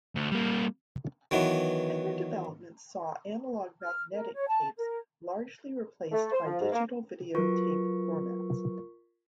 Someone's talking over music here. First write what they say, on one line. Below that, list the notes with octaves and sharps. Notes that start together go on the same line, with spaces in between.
Later developments saw analog magnetic tapes largely replaced by digital video tape formats.
D2
G3 A#3
D#3 E3 F#3 B3
F6
A#4
C#5
A5
A#4
A3
C5
F3
G#2
A#3
F#3 F4 A#4 B4 C#6